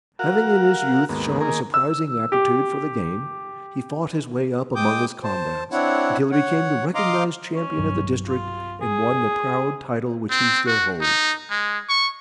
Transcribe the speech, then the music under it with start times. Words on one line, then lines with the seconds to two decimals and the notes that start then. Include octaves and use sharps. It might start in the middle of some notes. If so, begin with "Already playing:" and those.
Having in his youth shown a surprising aptitude for the game, he fought his way up among his comrades, until he became the recognised champion of the district and won the proud title which he still holds.
0.19 F#4 A#4 F5 F#5
1.09 D#2 G#2 A#3 B3
1.41 D#3 A#3 G#4 A#4
1.74 E6
2.32 G4
4.76 G#3 G5 D6 D#6 G6
5.23 C5 A5
5.72 C4 D4 E4 C#5 F#5
6.32 C#5 F#5
6.95 D#5 F5 A#5 C6 D6
7.55 C#4
7.77 B1 G2 F#3
8.27 F4
8.82 G#4
10.30 C4
10.66 F#4
11.01 D#4
11.50 G#3
11.89 C#6